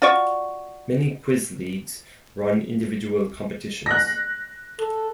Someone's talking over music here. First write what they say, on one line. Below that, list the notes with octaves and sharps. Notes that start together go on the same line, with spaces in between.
Many quiz leagues run individual competitions.
F4 F#4 D5 C#6
F#6 A#6
A4